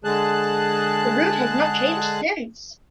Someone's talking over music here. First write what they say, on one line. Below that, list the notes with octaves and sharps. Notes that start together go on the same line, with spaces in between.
The route has not changed since.
D3 G#3 G#4 A5 F#6